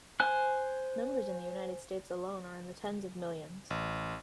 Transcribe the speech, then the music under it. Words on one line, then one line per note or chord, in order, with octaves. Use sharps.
Numbers in the United States alone are in the tens of millions.
C5 G#5 F#6
A1